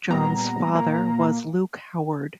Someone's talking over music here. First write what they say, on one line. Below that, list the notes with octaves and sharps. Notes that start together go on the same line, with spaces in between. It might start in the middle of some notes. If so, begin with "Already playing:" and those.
John's father was Luke Howard.
A#2 G3 B3 A#5
A#2 A#3